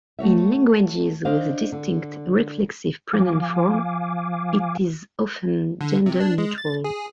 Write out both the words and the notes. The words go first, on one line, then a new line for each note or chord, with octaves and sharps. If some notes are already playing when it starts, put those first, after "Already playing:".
In languages with a distinct reflexive pronoun form, it is often gender-neutral.
A3 F#4 C#5 E5
D4 C5 D#5 F5
D3
F3 F5 G#5 D6
D3
C3
D4
G#3
A6
G#4